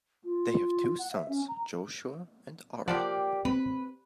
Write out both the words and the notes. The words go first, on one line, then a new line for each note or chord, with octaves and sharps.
They have two sons, Joshua and Ari.
F4
F#5
E5
C#4
A#5
F3 A#3 G4 D5 F#5 A5
C4 B4